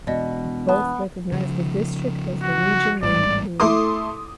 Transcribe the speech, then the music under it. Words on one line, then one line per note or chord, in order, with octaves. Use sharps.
Both recognize the district as the region named Ayn.
E1 B2 D5 D#5
B3 A5
C#3 F3
F#4
A1 G#2 G3 D5
A3 E4 A4 C6 D6 D#6